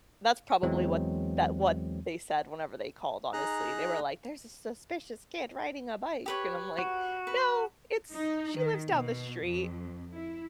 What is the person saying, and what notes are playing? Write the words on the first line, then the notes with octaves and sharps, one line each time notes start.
That's probably what that what they said whenever they called, honestly, they were like, "There's a suspicious kid riding a bike," and I'm like, "No, it's she lives down the street,
E2 E3 F#3 G#3 C4
D#4 G#4 A#5 F#6
G4 B4 C#5
F#4
B4
D#4
D#3
B2
F2
E4